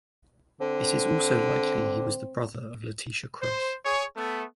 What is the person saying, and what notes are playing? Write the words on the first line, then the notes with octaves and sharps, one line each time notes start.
It is also likely he was the brother of Letitia Cross.
D3 C4
C5
G#4 C#5
A3 B3